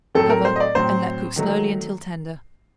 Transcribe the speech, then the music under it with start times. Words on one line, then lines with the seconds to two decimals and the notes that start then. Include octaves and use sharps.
Cover and let cook slowly until tender.
0.15 A2 F#3 A3 C4 A4
0.30 A#4
0.45 C5
0.56 D#5
0.60 D5
0.75 A2 F#3 C4 C5
1.36 D#3 F#3 A3